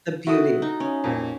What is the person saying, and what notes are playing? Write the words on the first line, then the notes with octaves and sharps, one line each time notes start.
the beauty.
E4 F#4 A4 D#6
D#4
C#4
F2 A#2